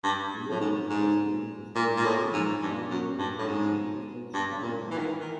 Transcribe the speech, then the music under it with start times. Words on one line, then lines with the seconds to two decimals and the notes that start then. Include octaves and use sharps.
The local forestry industry boomed following the construction of the first sawmills.
0.03 G2
0.50 A2
0.61 G#2
0.89 G#2
1.75 A#2
1.97 A#2
2.05 A2
2.34 G#2
2.62 G2
2.90 F#2
3.19 G2
3.38 A2
3.48 G#2
4.34 G2
4.62 A#2
4.91 E3
4.98 D#3
5.06 E3
5.20 D#3